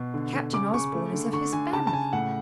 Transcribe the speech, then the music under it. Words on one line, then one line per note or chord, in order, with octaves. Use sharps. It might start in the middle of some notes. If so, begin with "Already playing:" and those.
Captain Osborn is of his family.
Already playing: B2
D3
D3
C#3 D6
C#3 C#6
A3
D3
D3 C#6
D3 G#5
C#3 A5
A5
C#3 G#5
A2 F#5